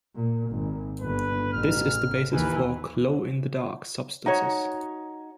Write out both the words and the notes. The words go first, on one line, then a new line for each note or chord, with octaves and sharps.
This is the basis for "glow in the dark" substances.
A#2
G#1
G1 B4
A1 F6
D#2 E3 B4
D#4 F#4 C#5